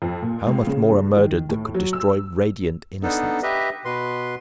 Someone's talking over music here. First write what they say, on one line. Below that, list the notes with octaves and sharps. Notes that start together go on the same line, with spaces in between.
How much more a murdered that could destroy radiant innocence!
F2
A#2
C#2
C#3
G2
D#3
A2
F#3
E6
B3 D4 D#4 A4
G4 B4 D#5 E5
B2 B4 C6